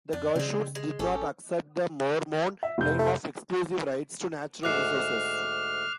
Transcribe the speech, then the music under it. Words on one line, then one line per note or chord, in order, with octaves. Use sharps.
The Goshutes did not accept the Mormon claim of exclusive rights to natural resources.
F2 D4
C#3 G#3 C4
G#3
A1 C#4 G4 A4
E5
F1 G6
A3
D2 G#2 D6 F6 F#6 C7